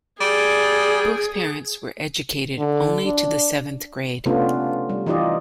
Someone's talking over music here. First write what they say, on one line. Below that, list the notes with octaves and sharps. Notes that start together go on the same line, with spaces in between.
Both parents were educated only to the seventh grade.
G3 G#4
D3
D4
C3 A3 B3 C#4 D4 F4
G3
E3 D#4 F4 G4 D5 D#5